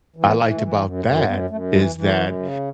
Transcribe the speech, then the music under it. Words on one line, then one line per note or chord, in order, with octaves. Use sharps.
I liked about that, is that,
E3
B3
E3
A3
E3
F#2
F#2 G#3
F#2 B3
F#2 A3
E3 G#3
E3
A3
F#2
C#3